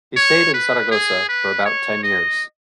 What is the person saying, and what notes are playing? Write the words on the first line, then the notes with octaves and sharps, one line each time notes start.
He stayed in Zaragoza for about ten years.
C#5
B4
G#4
B4
C#5
D#5